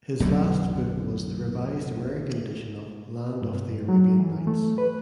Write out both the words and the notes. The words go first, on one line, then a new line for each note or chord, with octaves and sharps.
His last book was the revised American edition of "Land of the Arabian Nights".
B1 F#2 D3
G2
F#3
E3
A3
B4